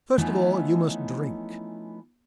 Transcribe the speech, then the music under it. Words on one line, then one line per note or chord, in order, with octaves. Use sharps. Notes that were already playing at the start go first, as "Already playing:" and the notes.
"First of all you must drink!"
E3 F3 A3 B3 C#4 D#4